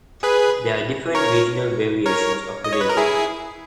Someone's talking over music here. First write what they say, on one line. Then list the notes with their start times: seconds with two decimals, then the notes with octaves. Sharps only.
There are different regional variations of the bindi.
0.23 G#4 B4
1.15 A#4 C#5
2.06 A#4 C#5
2.64 D#5
2.73 C#5
2.81 B4
2.89 A#4
2.97 E4 G#4